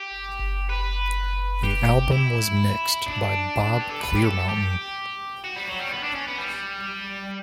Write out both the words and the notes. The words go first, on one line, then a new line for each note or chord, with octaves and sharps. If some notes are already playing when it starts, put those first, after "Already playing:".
The album was mixed by Bob Clearmountain.
Already playing: G4
B4
G4
E4
D4
G4
A4
B4
G4
A4
G4
F#4
G3
F#3
G3
C#4
B3
D4
C#4
B3
G3